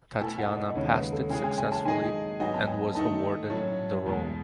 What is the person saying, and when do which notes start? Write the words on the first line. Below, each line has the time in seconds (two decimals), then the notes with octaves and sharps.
Tatyana passed it successfully and was awarded the role.
0.20 B2 A3 E4 A4 G#5
0.38 F#5
0.57 D#5
0.75 D#2 C#3 G#3 C#5
0.94 B4
1.12 A4
1.30 C#3 E3 G#3 C#4 G#4 G#5
1.44 G#5
1.58 G#5
1.72 A5
1.85 D#3 G#3 D#4 G#4 D#5 G#5
2.40 G#2 F#3 B3 D#4 F#4 G#5
2.54 A5
2.67 G#5
2.82 A5
2.95 D#3 A3 D#4 A4 A5
3.50 A2 F#3 A3 C#4
4.06 E2 B2 G#3